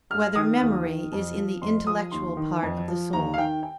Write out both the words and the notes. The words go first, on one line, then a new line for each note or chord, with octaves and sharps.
Whether Memory Is in the Intellectual Part of the Soul?
G2 F6
D#3 D#6
D#2
D#3
F2
F3
F2 C6
F3 D#6
D#2 C6
D#3
F2
F3
D#2 A#5
F5
D#3 G5
G5